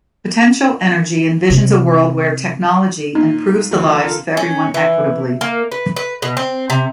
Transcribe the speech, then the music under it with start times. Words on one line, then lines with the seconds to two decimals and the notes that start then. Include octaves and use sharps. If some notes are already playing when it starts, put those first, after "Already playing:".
Potential Energy envisions a world where technology improves the lives of everyone equitably.
1.50 C3
3.15 A#2 D#4
3.71 D2 E3 F#3
3.99 F4 A4 A#4
4.37 C#4
4.74 E3
5.41 A#3
5.72 B4
5.96 B4
6.22 B2
6.37 C4
6.70 C3